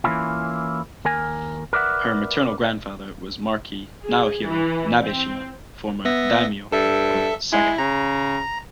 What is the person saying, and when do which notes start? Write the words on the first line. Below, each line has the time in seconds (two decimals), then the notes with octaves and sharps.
Her maternal grandfather was Marquis Naohiro Nabeshima, former "daimyo" of Saga.
0.04 E3 A#3 C#4 E4 F4
1.05 D#2 A#4 G#5
1.73 A#4 B4 D5 E5 F#5
4.04 G#4
4.45 E3
5.01 C4
6.05 B3 E5 A#6
6.72 G2 A4 E5
7.53 G#3 E4
7.78 C#3 A#5